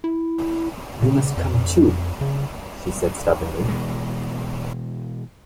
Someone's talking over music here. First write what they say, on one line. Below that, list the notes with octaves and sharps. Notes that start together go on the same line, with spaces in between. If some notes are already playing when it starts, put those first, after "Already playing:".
"You must come too," she said stubbornly.
E4
C#3
F2
C#3
B2 E3 G#3